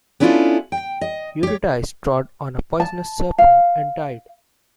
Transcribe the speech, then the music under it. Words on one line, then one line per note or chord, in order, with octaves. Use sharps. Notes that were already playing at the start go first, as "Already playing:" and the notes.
Eurydice trod on a poisonous serpent and died.
B3 C#4 D4 E4 F4 A4
G5
D#5
G4 C#5
A5
F5